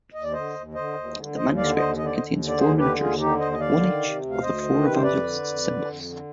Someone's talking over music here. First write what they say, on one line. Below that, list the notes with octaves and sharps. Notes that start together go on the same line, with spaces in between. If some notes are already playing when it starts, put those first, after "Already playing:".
The manuscript contains four miniatures, one each of the four Evangelists' symbols.
D#2 D#5
D5
D3 C5 D#5
D#2
D3 C5 D#5
D#2
D3
D#2 C5 D#5
D3 D5 F5
D#2 C5 D#5
D3 D#5
D5
D#2 C5 D#5
D3
D5
D#2 G#4 C5
D3 G4 B4
D#2 F4 G#4
D3 D#4 G4
D#2 C5 D#5
D#5
D3 D5 F5
D#3
C3
D2
F5
D2 C5 D#5
D#3
C3 B4
C5
F2 B4 D5
D3
F2
D3
F2
D3